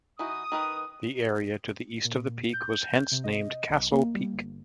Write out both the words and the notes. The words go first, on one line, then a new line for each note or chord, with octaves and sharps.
The area to the east of the peak was hence named Castle Peak.
E3 D#4 F#4 D#6
D#3 A#4 B4
A#2
G6
C3
D#5
B1
A#3
G3
G1